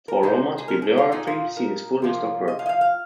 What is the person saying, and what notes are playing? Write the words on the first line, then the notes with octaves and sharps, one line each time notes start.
For Rohmer's bibliography, see his full list of work.
A#4
C3 G#3 C4 D#4 C5
G#4
A#4
G#4
F4
A#2 A#3 D#4 G#4
F4
A#4
C3 F3 A#3 F4
D#5
F5
D#5
F5
F5